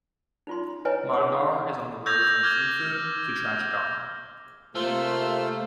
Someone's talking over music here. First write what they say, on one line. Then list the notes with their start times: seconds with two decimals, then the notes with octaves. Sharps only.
Mongar is on the road from Thimphu to Trashigang.
0.47 D#4 F4 C6
0.85 E4 B4 C#5 D#5 G#5
1.13 G#4 C#5 F#5
1.29 D#4
2.06 E6 G6 G#6 A#6 F7
2.43 D6 F6 G#6 G7
4.75 C3 A3 A#3 F4 A4 C5 E6 F6